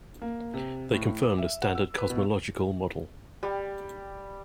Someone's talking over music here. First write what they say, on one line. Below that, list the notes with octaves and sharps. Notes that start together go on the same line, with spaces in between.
They confirm the standard cosmological model.
A#3
C3
A2
D6
E5
F#5
E6
B4
B2
G3